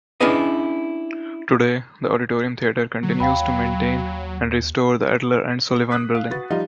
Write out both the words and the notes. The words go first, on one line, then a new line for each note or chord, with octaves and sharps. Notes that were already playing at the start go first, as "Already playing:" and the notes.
Today, the Auditorium Theatre continues to maintain and restore the Adler and Sullivan building.
C#4 D4 E4 G#4 B4 D#5
D3 F#3
D#2 F5 G5 B5
D#6 F#6 B6
F5
F#4 B4 A6
F3 G3 D#4 F4